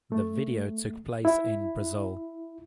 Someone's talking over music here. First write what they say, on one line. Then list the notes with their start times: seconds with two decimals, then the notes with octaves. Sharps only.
The video took place in Brazil.
0.12 A3
1.25 E4